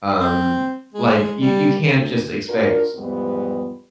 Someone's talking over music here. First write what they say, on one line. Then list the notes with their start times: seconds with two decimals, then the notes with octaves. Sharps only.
Um, like, you you can't just expect,
0.21 C4
0.94 G#3
1.41 G3
1.88 D2
2.48 D4 F4 F#4 A#4
2.95 E2 G#2 F3 G3 B3